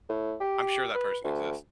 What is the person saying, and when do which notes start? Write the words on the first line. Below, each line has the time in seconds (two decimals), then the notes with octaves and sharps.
I'm sure that person exists,
0.09 A2
0.40 G4
0.94 B4
1.24 D2